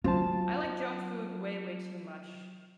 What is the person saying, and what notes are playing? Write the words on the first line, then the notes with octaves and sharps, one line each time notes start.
I like junk food way, way too much.
F#3 C#4 F4 C5 A5